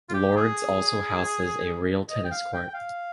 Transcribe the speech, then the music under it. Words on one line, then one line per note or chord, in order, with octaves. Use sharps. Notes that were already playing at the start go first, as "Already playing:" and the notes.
Lord's also houses a real tennis court.
F4
G4
G#4
D#5
G5
F5
G5
G5
F5